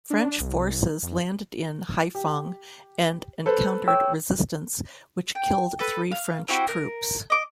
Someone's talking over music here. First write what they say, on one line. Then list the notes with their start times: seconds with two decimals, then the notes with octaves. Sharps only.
French forces landed in Haiphong and encountered resistance which killed three French troops.
0.10 D4
0.40 C2
1.03 F2
2.15 G4
3.46 A4 B4 C5
3.88 C#5 G5 E6
5.35 G5
5.79 A4 B4
6.11 F5
6.48 C4 E4 F#4 G4
6.68 A#4
7.30 D#5 D6